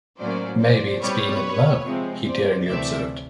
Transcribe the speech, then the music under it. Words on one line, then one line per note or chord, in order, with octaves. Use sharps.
"Maybe it's being in love," he daringly observed.
A2 F#3 A#3 C#4 C5 D5
C5 D5
B2 G3 C4 B4 C#5
C3 F3 G#3 C4
C5 D5
D2 C3 E3 A3 C4 D5 E5